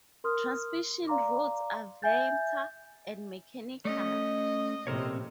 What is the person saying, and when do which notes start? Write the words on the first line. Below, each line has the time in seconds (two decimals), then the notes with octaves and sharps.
Transmission routes are vector and mechanical.
0.24 A#4 C6 D#6 F6
1.07 D5 F5 A#5 C6 D6
2.02 E5 G#5 G6 A6
3.85 A3 C#4 D#5
4.87 A#1 A2 C3 C4 A#4 C#5